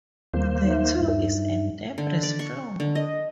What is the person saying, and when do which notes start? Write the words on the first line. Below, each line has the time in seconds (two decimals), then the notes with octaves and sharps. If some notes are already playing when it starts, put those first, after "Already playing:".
The toe is a debris flow.
0.34 D#2 G3 A#3 C5
0.64 D#4 E5
1.00 G2
1.98 D3
2.23 D5
2.39 C#6
2.80 D3
2.95 D#5